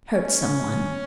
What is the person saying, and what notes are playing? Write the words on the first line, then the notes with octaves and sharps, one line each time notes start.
Hurt someone.
C#4